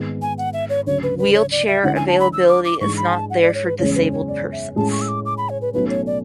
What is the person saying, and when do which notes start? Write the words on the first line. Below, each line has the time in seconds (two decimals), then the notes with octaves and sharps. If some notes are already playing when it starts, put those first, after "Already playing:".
Wheelchair availability is not there for disabled persons.
Already playing: G#1 G#2 G#3 B3
0.22 G#5
0.38 F#5
0.53 E5
0.69 C#5
0.87 D2 C#3 F#3 C#5
1.03 B4
1.19 B4
1.34 C#5
1.52 D5
1.67 E5
1.83 D2 D3 G#3 C#4 E4 F#5
1.96 G#5
2.08 A5
2.20 B5
2.33 E6
2.48 D6
2.65 D6
2.81 G#2 E3 G#3 D4 C#6
2.97 B5
3.08 G#5
3.14 A5
3.30 F#5
3.42 D5
3.55 C#5
3.66 B4
3.79 F#1 E2 C#3 G#3 C#4 C#5
3.95 B4
4.12 C#5
4.28 D5
4.52 E5
4.76 A2 G#3 C#4 G#4 A5
4.92 C#6
5.01 E6
5.08 D6
5.25 D6
5.38 B5
5.49 C#5
5.62 B4
5.74 B1 B2 F#3 A3 C#4 B4
5.90 C#5
6.07 D5